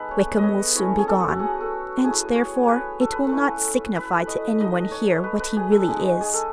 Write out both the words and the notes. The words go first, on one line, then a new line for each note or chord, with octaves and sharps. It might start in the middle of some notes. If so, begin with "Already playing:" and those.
Wickham will soon be gone; and therefore it will not signify to anyone here what he really is.
Already playing: G#3 B3 D#4 A4 B4
C#5
D#5
C#5
A3 C#4 E4 C#5
G#4
A4
F#4
G#4
A4
A3 E4 G#4
C#5
C#5
B4
A4
B4
A4
A3 C#4 E4
B4
D#5
A3 D#4 D#5
C#5
B4
B4
G#4
A4
G#3 D#4 G#4
G#4
A4